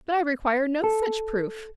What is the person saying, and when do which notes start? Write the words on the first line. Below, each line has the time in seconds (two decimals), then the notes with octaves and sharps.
But I require no such proof.
0.84 A4